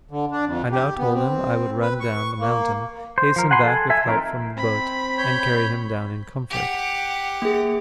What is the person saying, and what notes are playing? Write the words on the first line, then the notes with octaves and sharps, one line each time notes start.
I now told him I would run down the mountain, hasten back with help from the boat, and carry him down in comfort.
D3
D4
F2
G4
B3
C4
B4
C#6
A#3
C5
F3 A#4
F#5 G#5 B5 C6
A4 G#5
A4 E5 G#5
F3 C4 D#4 A#4
C4 B5
C#5 G6
G4 F#5
A#3 G#4